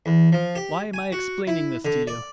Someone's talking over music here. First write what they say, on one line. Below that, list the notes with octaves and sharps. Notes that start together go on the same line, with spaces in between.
Why am I explaining this to you?
E2
F3
G4
G#5
F#4
E4
D3
D5